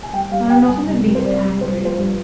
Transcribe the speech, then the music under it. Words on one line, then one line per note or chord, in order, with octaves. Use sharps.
"I am not in the least angry."
G#5
G3 G5
G3 F5
C2 G5
C2 G#5
C2
C2 A#4
C5
C2 D5
C2
G2 C5
F3
C5
G2